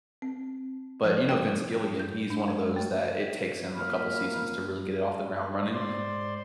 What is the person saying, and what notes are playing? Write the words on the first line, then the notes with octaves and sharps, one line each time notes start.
but, you know, Vince Gilligan, he's one of those that it takes him a couple seasons to really get it off the ground running.
C4
F3
G5
G6
D4
G#3
A3
B2 F3 A#3 B5 F6
G#2 C5 D5 C6